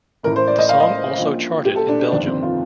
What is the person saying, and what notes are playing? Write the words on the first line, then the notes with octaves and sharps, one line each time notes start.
The song also charted in Belgium.
A1 A2 A#4
C5
D5
D#5
F5
D#5
A#1 A#2
G4
A4
D4
D4
G1 F2 C3 D#3 D4
C4
F4